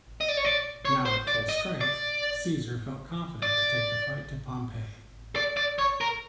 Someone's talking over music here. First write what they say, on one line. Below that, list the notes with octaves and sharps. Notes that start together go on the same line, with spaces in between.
Now at full strength, Caesar felt confident to take the fight to Pompey.
D#5
D5
C#5
D5
C#5
C5
D5
D#5
D5
D5
D5
D5
C#5
A#4